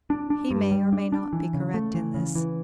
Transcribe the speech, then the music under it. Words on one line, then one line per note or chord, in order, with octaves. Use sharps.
He may, or may not, be correct in this.
D4
D4
G2
G3
D4
D4
E3
C#3
A3
E3
C#3
E3